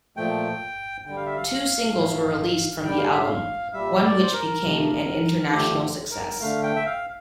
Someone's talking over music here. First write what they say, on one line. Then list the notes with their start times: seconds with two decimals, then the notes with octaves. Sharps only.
Two singles were released from the album, one which became an international success.
0.17 A#2 F3 A3 G5
1.06 D3 G3 G5
1.16 F5
1.26 E5
1.37 F5
1.95 A2 F3 A3
2.85 D3 G3 G5
2.97 F5
3.11 E5
3.24 F5
3.73 A#2 G3 E5
4.03 D5
4.23 C5
4.33 A#4
4.63 C3 F3 A3
5.51 D3 F3 A3 G4
6.11 A#4
6.41 D3 A3 F5
6.63 G5
6.76 E5
6.86 F5